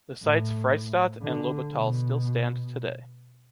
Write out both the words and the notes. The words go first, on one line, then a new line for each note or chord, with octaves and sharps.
The sites Freistatt and Lobetal still stand today.
A2
D3
B2